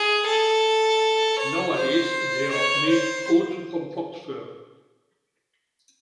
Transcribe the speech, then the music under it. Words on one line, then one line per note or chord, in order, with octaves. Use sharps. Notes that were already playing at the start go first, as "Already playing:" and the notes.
Nowadays they are made also from fox fur.
Already playing: G#4
A4
C#5
C5
C#5
C5